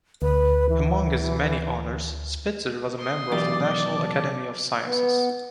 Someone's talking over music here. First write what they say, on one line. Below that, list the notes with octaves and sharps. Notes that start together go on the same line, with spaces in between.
Among his many honors, Spitzer was a member of the National Academy of Sciences.
D2 B4
E3
C6 D#6
B1 E2 G4 D5
A5 D6
B3